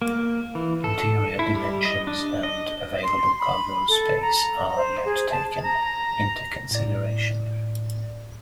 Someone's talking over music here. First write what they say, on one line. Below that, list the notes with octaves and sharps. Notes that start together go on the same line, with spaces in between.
Interior dimensions and available cargo space are not taken into consideration.
A#3
E3
A4
E4
G3
D#5
D4
D#5
C6
B5
A4
A#5
C5
G#4
A5
A#5
A2 D5